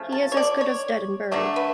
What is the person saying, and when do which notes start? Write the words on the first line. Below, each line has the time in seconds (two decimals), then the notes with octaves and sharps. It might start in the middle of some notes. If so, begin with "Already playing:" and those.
He is as good as dead and buried.
Already playing: C#3 F3 A3
0.12 A5
0.32 C#5
0.37 D5
0.61 C#5
1.32 D3 F#3 A3 D5
1.56 B4